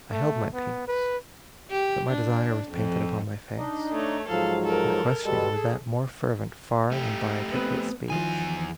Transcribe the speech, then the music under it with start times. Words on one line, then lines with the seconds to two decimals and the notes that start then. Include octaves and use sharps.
I held my peace; but my desire was painted Upon my face, and questioning with that More fervent far than by articulate speech.
0.11 A3
0.54 B3
0.88 B4
1.71 G4
2.10 D4
2.72 F2
3.58 D4 D#4 D#5
3.92 A3 C#5
4.28 G#2 F3 F#3 A4 F5
4.64 A4 A#4
5.24 B2 G3 G#3 A4
5.54 G#4
6.92 A3 G4
7.52 B3 C4 B4
8.10 E2 D#3 F3 G#5